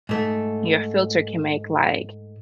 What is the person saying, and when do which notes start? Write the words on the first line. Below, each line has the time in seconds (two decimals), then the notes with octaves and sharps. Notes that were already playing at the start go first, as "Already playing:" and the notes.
your filter can make, like,
0.09 G#2 A3